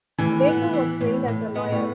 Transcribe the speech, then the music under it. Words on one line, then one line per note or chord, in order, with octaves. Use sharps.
Baker was trained as a lawyer.
A2 E3
B3
E3
A2
A2
B3
A2